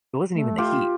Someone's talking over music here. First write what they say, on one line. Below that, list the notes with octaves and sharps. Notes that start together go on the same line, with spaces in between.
it wasn't even the heat.
A3
F4 G4